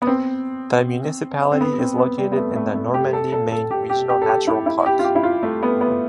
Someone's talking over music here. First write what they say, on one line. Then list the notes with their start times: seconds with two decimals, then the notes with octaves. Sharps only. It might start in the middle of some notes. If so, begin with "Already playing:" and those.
The municipality is located in the Normandy-Maine Regional Natural Park.
0.02 B3
0.07 C4
1.52 C4
1.61 B3
1.79 C4
1.98 B3
2.18 G3
2.32 B3
2.37 A3
2.56 A3
2.75 A3
2.94 G4
3.13 A4
3.32 A4
3.52 A4
3.71 G4
3.90 G4
4.09 G4
4.22 A4
4.28 G4
4.47 E4
4.66 E4
4.86 G4
4.99 F4
5.04 G4
5.15 E4
5.23 F4
5.43 A3
5.63 B3
5.81 B3